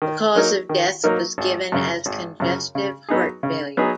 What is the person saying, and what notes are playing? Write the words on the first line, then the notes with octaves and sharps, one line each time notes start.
The cause of death was given as congestive heart failure.
D#3
F#3 A#3 D#4 A#4
D#3
F#3 A#3 D#4 A#4
G#1
F#2 C#3
G#1
F#2 C#3
C#3
F#3 B3 D#4 G#4
C#3
F#3 B3 D#4 G#4